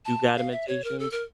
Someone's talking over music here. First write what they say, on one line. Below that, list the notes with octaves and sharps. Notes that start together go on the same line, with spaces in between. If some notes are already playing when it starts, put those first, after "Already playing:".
do guided meditations.
A5
F5
E5
C#5
A#4
A4
A#4